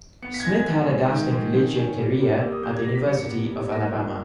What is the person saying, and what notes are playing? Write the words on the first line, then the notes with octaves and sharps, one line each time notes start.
Smith had a dazzling collegiate career at the University of Alabama.
B3 C#7
B6
G#6
G#3 A#6
G#6
B3
G#2
D#3
G#2
G#2 G6
C#4
G3
G3
A#3 E6
D#6
A#3 G6
G#6
G3 A#6
B6
G2 C#7
C#7
B3
G3
A#3 A#6
C#2